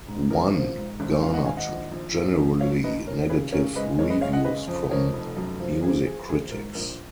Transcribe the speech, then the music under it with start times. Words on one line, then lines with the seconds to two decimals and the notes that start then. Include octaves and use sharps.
"One" garnered generally negative reviews from music critics.
0.08 G#2
0.30 A#1 A#4
0.54 F3
0.77 G#2
1.00 G#1
1.22 G#1 F5
1.34 D#5 F#5
1.46 G#1 F5 G#5
1.57 D#5 F#5
1.69 A#1
1.91 A#1
2.15 A#1
2.38 A#1
2.60 F#3 C#5 F5
2.84 D#2 B4 D#5
3.07 C#4 A#4
3.30 C#3 G#4 B4
3.52 C#3 A#4 C#5
3.76 G#3 B4 D#5
3.99 G#3 A#4 C#5
4.10 B4 D#5
4.21 G#3 C#5 F5
4.33 D#5 F#5
4.45 C#3 B4 D#5
4.68 F2
4.91 F2 A#4 C#5
5.14 F1
5.37 F#2
5.60 F3
5.83 F3 G#4
6.06 F3 G#4
6.29 A#1 G#4
6.51 G#2 A#4
6.75 A#1 A#4